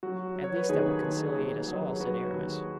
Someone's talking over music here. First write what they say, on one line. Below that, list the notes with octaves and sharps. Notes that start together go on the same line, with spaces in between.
"At least that will conciliate us all," said Aramis.
F#3 F#4
F#3
C#5
B4
D#2 D#4 G#4
D#2
D#2
F#3
F#3 F#4 B4
D#2